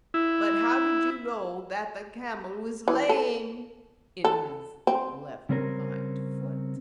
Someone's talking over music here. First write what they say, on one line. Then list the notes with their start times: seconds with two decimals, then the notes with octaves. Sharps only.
"But how did you know that the camel was lame in his left hind foot?"
0.14 E4
2.88 E3
3.09 A4
4.25 A4
4.87 C4
5.49 C#3 G3 C4 C#4 A#4